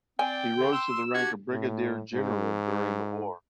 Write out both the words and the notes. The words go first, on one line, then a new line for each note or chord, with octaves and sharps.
He rose to the rank of Brigadier General during the war.
C4 D5 G5 G#5
D3
C6 E6
D4 F#4 G4 G#6
A2
G#2